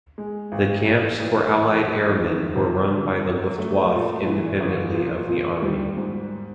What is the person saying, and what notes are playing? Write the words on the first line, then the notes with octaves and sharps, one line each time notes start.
The camps for Allied airmen were run by the Luftwaffe independently of the Army.
G#3
G#1
A1
A1
E3
E3
D#3
C3
D3
F#3
A3
A#2
E3
G1
A#2
A#2
G3
G#2